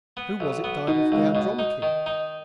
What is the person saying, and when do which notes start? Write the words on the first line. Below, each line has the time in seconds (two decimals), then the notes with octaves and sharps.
Who was it died of "The Andromache"?
0.17 B3
0.40 B1
0.64 B3
0.87 B2 D#4
1.12 C#2
1.35 B2
1.59 D#4
1.82 D#3
2.06 D#4